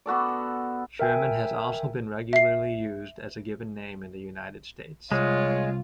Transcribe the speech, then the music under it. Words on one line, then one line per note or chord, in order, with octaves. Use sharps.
Sherman has also been regularly used as a given name in the United States.
B3 F#4 A4 D5
A#4 E5 G5 G#5
E5 C7
C2 G#3 F4 C#5